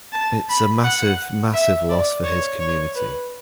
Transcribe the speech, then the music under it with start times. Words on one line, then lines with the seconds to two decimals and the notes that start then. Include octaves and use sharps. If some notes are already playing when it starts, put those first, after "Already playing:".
It's a massive, massive loss for his community.
0.12 A5
0.49 B5
0.83 F#5
1.53 E5
1.89 D5
2.24 C#5
2.60 C#5
2.95 B4